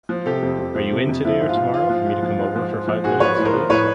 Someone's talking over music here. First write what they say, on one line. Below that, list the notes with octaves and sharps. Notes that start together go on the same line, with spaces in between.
Are you in today or tomorrow for me to come over for five minutes please?
F3
C3 G4 A4
F2
F2
F3
C3
F2
F3 E4
G#2
F4
F3
G#2 F4
F3
G#2
F3
G#2
F3
G#2
F3
G#2 F#4 G#4
F3 B4 C#5
A2
A#4 C5
F3
A2 B4 C#5